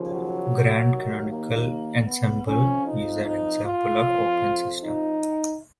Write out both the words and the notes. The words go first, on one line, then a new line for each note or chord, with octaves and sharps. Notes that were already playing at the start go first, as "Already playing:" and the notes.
Grand canonical ensemble is an example of open system.
Already playing: D#2 C#3 F3
F#3
D#2 D#3
A#3
B3
F2 F3 C#4
D#4
D#4
F4
F2 F3
D#4